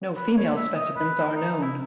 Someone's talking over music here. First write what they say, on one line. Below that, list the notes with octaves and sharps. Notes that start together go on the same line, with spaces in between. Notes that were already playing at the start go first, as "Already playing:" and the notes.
No female specimens are known.
B4
C#5
E5
D#5
B4
D#4
E4